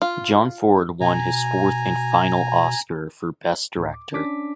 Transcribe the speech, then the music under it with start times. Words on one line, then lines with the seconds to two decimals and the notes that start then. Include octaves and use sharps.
John Ford won his fourth and final Oscar for best director.
0.02 F4
1.01 B2 G#5 A#5
3.77 D2 A2
3.94 D6
4.13 C#4 D4 D6 B6